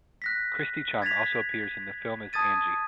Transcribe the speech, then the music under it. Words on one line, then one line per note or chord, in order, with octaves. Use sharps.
Christy Chung also appears in the film as "Angie".
F#6 A#6 B6
G#6 A6 B6 F7
A5 D#6 G#6 A6 D#7